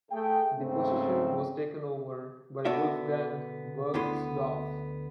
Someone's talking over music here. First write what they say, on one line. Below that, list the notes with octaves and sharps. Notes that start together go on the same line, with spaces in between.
The position was taken over by Wolfgang Bergsdorf.
A3 G#4 G5
G#2 C#3 A3 C4
B2 D3 B3 F#4 D5 E5
D2 D3 B3 E4 C6